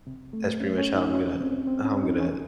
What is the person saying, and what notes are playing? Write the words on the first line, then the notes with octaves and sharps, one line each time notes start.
that's pretty much how I'm gonna how I'm gonna
C3
A3
C#4
C#4
D#4
C#4
C4
C4
C#4
D#4
C#4